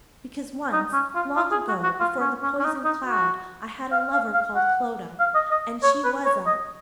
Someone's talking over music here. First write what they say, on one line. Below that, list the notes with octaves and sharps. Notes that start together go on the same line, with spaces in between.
'Because once, long ago before the poison-cloud, I had a lover called Clodagh: and she was a....'
D#4
C#4
F4
F4
G#4
F#4
F#4
F4
C#4
C#4
C#4
D#4
D#4
F#4
F5
F5
F5
F#5
F5
D#5
D#5
C#5
B4
C#5
D#5